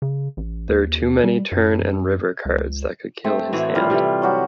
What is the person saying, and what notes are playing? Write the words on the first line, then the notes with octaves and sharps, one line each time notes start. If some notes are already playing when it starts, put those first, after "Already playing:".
There are too many turn and river cards that could kill his hand.
C#3
A1
D#2
G3
F#2
C#2
A3 C4
A2 E3 F#4
E3 F3 G3 F4
C3 E3 A3
F#3 F#4 G4